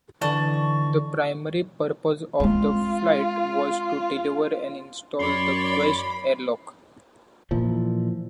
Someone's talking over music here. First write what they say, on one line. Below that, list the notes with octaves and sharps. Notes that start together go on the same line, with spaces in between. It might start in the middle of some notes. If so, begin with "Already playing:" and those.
The primary purpose of the flight was to deliver and install the Quest airlock.
D3 E3 D5 D#5 A5 C#6
G#3 C4 F4
F#2 C#5 D5 B5 C6
A#2 E3 F3